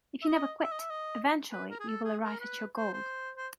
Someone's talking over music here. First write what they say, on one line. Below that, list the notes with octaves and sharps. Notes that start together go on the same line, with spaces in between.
If you never quit, eventually you will arrive at your goal.
E5
D#5
E5
D#5
E5
D#5
B4
A#4
G#4
A4
G#4
A#4
B4
C5
C5
C5